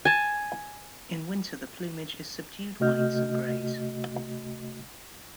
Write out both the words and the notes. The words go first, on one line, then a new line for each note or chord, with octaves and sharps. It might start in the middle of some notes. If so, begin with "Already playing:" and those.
In winter, the plumage is subdued whites and greys.
G#5 A5
C3 A3 F#4 D#5 F6 G6